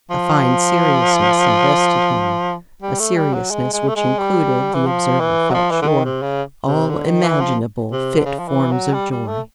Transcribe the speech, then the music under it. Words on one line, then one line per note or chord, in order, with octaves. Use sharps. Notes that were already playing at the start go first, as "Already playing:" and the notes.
A fine seriousness invested him--a seriousness which included, the observer felt sure, all imaginable fit forms of joy.
F3
G3
A3
G3
F#3
G#3
G#3
A3
G#3
G3
E3
F3
E3
F#3
F3
E3
D3
D#3
C3
C#3
C3
D3
D#3
E3
F3
C3
D3
C#3
F3
E3
F#3
G3
G3
A3